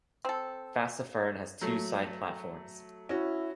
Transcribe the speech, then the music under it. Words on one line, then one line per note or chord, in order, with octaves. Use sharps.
Fassifern has two side platforms.
C4 A4
F#3 A3
C#4 E4 F#4